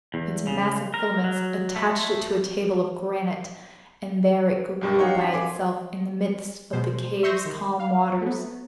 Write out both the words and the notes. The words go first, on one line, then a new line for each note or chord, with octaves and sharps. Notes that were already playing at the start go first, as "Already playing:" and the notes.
Its mass of filaments attached it to a table of granite, and there it grew by itself in the midst of the cave's calm waters.
E2
C#3
A#4
F#3
A3
B1 G2 D4 A#4 G5 C#6
C4 D4 D#4 F#4 B4 C#5 F5 F#5
F#2 D#4 B6
G#5 C6 D6
B2 G#3 C5
E5 C6 C#6 E6 G6 A#6
D#3
F5
A3 B3